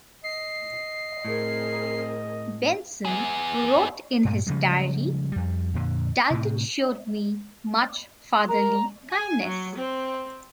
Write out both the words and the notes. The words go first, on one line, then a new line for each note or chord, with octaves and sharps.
Benson wrote in his diary "Dalton showed me much fatherly kindness".
D#5 C7
A2 C4 G#4 A#4
B3 G#4
G2 A#2 A3
C#3 F3 G3 G#3
F2 G3
F2 A#2 D3
A2 C3
A#4 A#5
G#5
F#3
C4